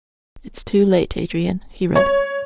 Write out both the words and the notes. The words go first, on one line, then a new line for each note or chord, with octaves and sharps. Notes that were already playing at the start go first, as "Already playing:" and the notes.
"It's too late, Adrian," he read.
C#5